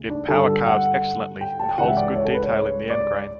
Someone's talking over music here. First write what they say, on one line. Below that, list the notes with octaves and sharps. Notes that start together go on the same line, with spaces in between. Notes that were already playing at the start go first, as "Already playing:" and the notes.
It power carves excellently and holds good detail in the end grain.
Already playing: D2 C#3
D4
G2 D3 A4
F#5
G5
A5
G5
C#2 C#3 E3 F#5
E5
D5
C#5
A4
B4
C#5
D5